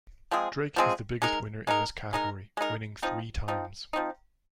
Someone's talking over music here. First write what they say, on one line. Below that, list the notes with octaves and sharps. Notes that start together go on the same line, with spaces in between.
Drake is the biggest winner in this category, winning three times.
F3 G#3 C4 G#4
F3 G#3 C4 G#4
G#3 D#4 A#4
G#3 D#4 A#4
G#3 D#4 A#4
G#3 D#4 A#4
F3 C4 D#4
F3 C4 D#4
F3 C4 D#4